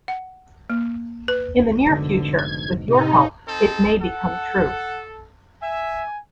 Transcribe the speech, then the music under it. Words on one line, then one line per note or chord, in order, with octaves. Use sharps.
In the near future, with your help, it may become true.
F#5
A#3
B4
F1 G#2 B2 D3
G#6
A2 C3 D#4
C4 D#4 A4
A4 F#5
E5 G#5